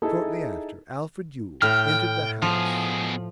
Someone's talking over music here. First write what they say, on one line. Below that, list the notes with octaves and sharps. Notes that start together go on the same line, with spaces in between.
Shortly after, Alfred Yule entered the house.
D#4 E4 G#4 A4 E5 A5
A2 G5 F6
B2 F3 G#4